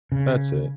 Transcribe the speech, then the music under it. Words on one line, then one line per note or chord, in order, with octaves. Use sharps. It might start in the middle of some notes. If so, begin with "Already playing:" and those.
That's it.
C#3